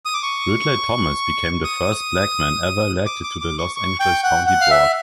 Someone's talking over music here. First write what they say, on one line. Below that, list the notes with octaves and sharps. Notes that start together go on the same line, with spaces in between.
Ridley-Thomas became the first black man ever elected to the Los Angeles County Board.
D#6
D6
C#6
D#6
D6
D6
D6
C#6
C#6
G5
F#5
F#5
F5
E5